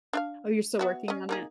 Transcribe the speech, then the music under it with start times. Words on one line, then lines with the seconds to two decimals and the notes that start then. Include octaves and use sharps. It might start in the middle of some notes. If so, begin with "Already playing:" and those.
Oh, you're still working on it?
0.13 D4 E5 F5
0.79 B3 F#4 E5
1.08 C#4 D#5
1.29 A#3 D#4 G#4